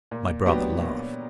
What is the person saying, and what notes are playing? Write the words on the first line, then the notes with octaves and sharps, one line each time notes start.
My brother laughed.
A#2
F#3 B3 D4 G4
A#2